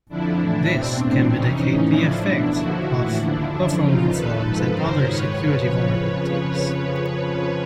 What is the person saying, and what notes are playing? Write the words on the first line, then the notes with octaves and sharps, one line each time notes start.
This can mitigate the effects of buffer overflows and other security vulnerabilities.
F2 D3 F3 D4 E4
A2 E3
E2 B2 C4 D4
A2 E3
F2 C3 E3 C#4 D#4
A2 E3
A2 F3 D4 E4
E2 B2
D#2 D3 F3 E4 F#4
A2 E3
D#2 D3 F3 D4 E4
F#2 D3 F3
F2 C#3 F3 D#4 F4
D#2 D#3 A4 B4
G#2 F3
F#2 C#3 F3 A#4 C5
G#2 D#3 B4 C#5
F#2 C#3 F3
F2 C#3 F3